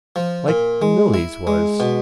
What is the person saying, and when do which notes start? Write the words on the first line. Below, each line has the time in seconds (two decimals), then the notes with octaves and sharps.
Like Milly's was.
0.16 F3
0.48 A#2
0.82 G#3
1.14 E4
1.47 G#3
1.80 B2